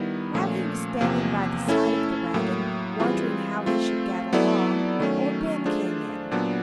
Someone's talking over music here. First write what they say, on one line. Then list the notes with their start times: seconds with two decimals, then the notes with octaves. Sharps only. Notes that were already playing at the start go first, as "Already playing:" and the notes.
While he was standing by the side of the wagon, wondering how he should get along, Old Ben came in.
Already playing: D#3 G3 B3 E4
0.34 A#2 F3 A3 C#4
1.01 E2 C3 F3 A#3
1.68 A3 C#4 E4 A4
2.34 A2 F#3 A#3
3.00 E3 G3 C4 F4 G#4
3.66 A3 C4 F4
4.33 F#3 B3 E4 A4 D5
4.99 D#3 F#3 A3 C#4
5.65 A3 D4 F4 G#4 C5
6.31 A#2 F#3 B3 D4